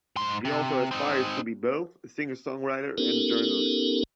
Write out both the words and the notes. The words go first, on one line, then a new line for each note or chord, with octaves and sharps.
She also aspires to be both a singer-songwriter and a journalist.
G#2 C6
C3
C4 D#4
B3 C#4 D#4 G4 A4 A#4